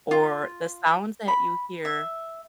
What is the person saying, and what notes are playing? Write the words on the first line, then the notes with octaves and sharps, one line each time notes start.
or the sounds that you hear
F4
B5
E5